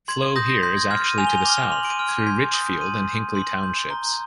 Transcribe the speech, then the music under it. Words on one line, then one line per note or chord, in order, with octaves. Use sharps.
Flow here is actually to the south, through Richfield and Hinckley Townships.
C6 G#6
G#6
D#6 G6 A#6
A#6
C6 G6
G#6
F6 G#6
D#7
G#5 F7
G7
F7
D6 F6 G7
F7
C6 F7
D7
D#7
F6
G#6
G6
C6 G#6
D#6 G6
C6 D#7
G6
C6
G6
A#5 G7